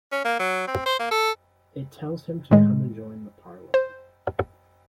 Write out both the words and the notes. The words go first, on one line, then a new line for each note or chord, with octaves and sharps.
It tells him to come and join the parliament.
C#4
A#3
F#3
C4
C5
A#3
A4
A2 D#3 G#3
C5